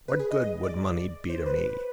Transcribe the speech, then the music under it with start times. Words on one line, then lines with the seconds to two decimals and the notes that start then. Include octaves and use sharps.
What good would money be to me?
0.08 B4
0.19 G#4
0.31 D#5
0.41 D#5
0.63 D5
1.29 C5
1.46 B4